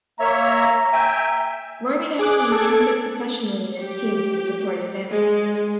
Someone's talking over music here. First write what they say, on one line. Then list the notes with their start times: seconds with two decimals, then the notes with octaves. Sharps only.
Roy began playing trumpet professionally in his teens to support his family.
0.20 A#3 C#5 E5 A#5
0.93 E5 G5 G#5
2.19 G#4 D6 F#6
2.52 A4 G#6 D7
3.81 G4
5.10 G#3